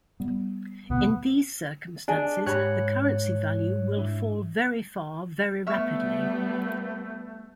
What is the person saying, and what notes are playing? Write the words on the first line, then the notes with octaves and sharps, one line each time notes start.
In these circumstances, the currency value will fall very far very rapidly.
G3 B3
D2 B2 B3
D4 G#4 D#5 G#5
G#2 G4 C#5 B5 F#6
D4 E4
G3 A3 B3 E5 C#6 F6